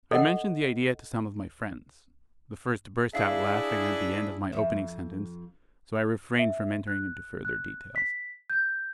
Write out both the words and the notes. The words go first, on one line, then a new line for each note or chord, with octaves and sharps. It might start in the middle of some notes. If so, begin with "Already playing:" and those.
I mentioned the idea to some of my friends: the first burst out laughing at the end of my opening sentence, so I refrained from entering into further details.
A4 D#5 F#5
D4 E4 G#4 E5 F5
F2 F3 E5
E5
F#6
F#6
B6
G6